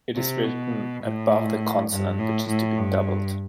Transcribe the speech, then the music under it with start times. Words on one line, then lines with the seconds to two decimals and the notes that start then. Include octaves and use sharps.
It is written above the consonant which is to be doubled.
0.15 C3
0.43 B2
1.03 A2
1.90 G2
2.18 A2
2.48 A2
2.77 G2